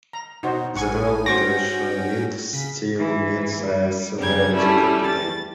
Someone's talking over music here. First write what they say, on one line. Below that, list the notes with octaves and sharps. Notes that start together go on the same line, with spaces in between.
The Royal Dutch Mint still mints a silver ducat today.
A#5
B2 D#4 F#4 C5
A1 F#5 G#5 C#6
C#4 F#4 C5 G5 C#6 D6 A#6
C#3 B6
E3
G3
F#2 C#3 G3 G#6
G3 A3 C#4 E4
A6